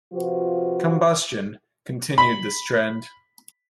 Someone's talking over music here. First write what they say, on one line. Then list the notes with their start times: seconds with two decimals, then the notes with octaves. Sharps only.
"Combustion" continued this trend.
0.13 C3 F3 F4 F#4 B4 C5
2.18 B5